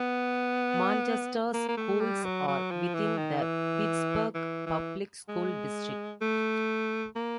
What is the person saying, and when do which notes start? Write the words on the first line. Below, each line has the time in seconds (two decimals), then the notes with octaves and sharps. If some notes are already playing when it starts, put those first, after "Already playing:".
Manchester's schools are within the Pittsburgh Public School District.
Already playing: B3
1.54 A#3
1.69 A#3
1.77 A3
2.00 G3
2.24 F#3
2.48 F#3
2.71 F3
2.94 E3
3.17 D#3
3.41 E3
4.35 E3
4.66 E3
5.29 G#3
6.21 A3
7.16 A#3